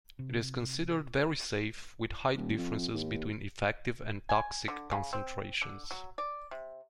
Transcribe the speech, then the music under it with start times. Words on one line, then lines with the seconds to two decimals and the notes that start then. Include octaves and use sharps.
It is considered very safe, with high differences between effective and toxic concentrations.
0.19 C3
2.36 D#1
2.57 F2
2.94 D#2
4.29 G#5
4.68 D3
4.91 C#3
5.13 C4
5.62 D3
5.91 F#3
6.18 D5
6.51 C3